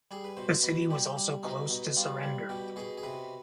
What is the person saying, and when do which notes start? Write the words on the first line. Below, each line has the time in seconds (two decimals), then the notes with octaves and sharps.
The city was also close to surrender.
0.11 G3 G#4
0.24 B4
0.37 B2 C5
0.63 B2 B4
0.90 G3 G4
1.17 G3
1.43 B2 D#4
1.70 B2
1.96 G3 F4
2.23 G3
2.49 B2 G4
2.76 B2 G#4
2.98 G#4
3.03 C3 B4